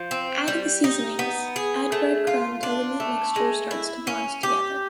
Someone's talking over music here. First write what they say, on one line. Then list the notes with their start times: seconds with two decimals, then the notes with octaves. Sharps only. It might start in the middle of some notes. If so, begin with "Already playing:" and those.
Add the seasonings. add bread crumb till the meat mixture starts to bond together.
Already playing: F3
0.11 C4
0.48 G3
0.84 D#4
1.19 B3
1.56 G#4
1.92 A3
2.27 F4
2.63 D4
3.00 A3
3.36 G#3
3.71 E4
4.07 C#4
4.43 G4